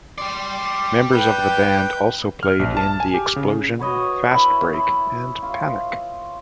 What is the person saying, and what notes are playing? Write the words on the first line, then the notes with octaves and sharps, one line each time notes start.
Members of the band also played in The Explosion, Fastbreak, and Panic.
G3 D5 C6
B4 G5 G6
F6
A#1
A5
G#5
G4
C#3
F#4 B4 C#5 D#5
E4
E4
F4